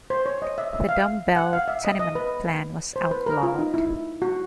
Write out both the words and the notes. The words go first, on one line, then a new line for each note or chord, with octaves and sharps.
The Dumb-bell tenement plan was outlawed.
C5
C#5
D#5
E5
E5
F5
F#5
F5
E5
D#5
D#5
B4
C5
B4
A#4
F4
D#4
E4
F#4